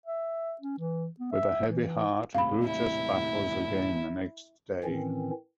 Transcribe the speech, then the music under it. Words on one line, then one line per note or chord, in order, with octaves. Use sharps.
With a heavy heart, Brutus battles again the next day.
E5
C#4
E3
B3
E5
E3
D#1 A2 C3 F5 B5
E4
A2 D#3 E3 C4 C#4